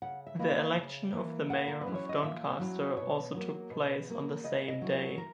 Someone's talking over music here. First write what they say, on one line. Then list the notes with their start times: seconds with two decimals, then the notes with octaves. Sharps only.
The election of the Mayor of Doncaster also took place on the same day.
0.02 C#3 F#5
0.27 E5
0.39 E3 A#3 E4 D#5
0.52 E5
0.76 C#3
1.13 E3 A#3 E4
1.50 A#2 F#5
1.67 A#4
1.81 B4
1.86 F#3 C#4 E4
1.95 C#5
2.09 D#5
2.23 A#2 E5
2.60 F#3 C#4 E4
2.97 B2 C#5
3.34 F#3 A#3
3.70 B2
4.07 F#3 A#3
4.44 C#3 D#5
4.68 D#5
4.81 F#3 C#4 E4
5.18 A#4